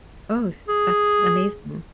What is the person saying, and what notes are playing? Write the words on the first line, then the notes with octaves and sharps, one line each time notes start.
Oh, that's amazing.
G#4